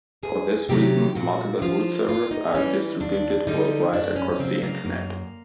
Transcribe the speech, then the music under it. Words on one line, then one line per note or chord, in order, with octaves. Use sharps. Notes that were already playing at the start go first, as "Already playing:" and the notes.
For this reason, multiple root servers are distributed worldwide across the Internet.
E2 G#4
C3 D#3 F#3 G4
A#2 F#4
F3 F4
A2 F4
D#4
E3 G3 C#4
D#2 D4
D3 G3 D#4
F#2 D4
C#4
C#4
C#3 F#3 C4
A#3
F#2